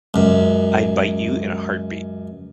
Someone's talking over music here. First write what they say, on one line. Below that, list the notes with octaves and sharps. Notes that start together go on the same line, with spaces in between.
I'd bite you in a heartbeat.
C#2 F#2